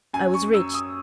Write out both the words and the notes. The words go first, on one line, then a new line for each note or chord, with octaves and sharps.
I was rich.
F#2 G#5
C#6
F#2 E6
D#6